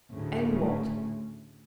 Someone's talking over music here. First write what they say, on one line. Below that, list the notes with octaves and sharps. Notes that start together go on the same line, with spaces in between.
"And what?"
D2 A2 C#3